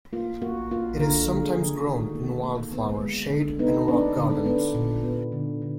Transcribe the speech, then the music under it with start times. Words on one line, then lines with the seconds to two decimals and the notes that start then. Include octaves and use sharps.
It is sometimes grown in wildflower, shade, and rock gardens.
0.13 A#3 F4
0.42 A#3 F#4
0.71 A#3 F4
0.99 D3 A#4
1.28 D3
1.43 G#4
1.57 D3
1.86 D#3 F#4
2.15 A#3
2.43 A#3
2.73 B3
3.01 G#3
3.30 D3
3.59 B3 D#4
3.88 B3 D4
4.17 D3
4.46 B3 D4
4.74 A#2
5.04 B3
5.32 D3
5.62 D3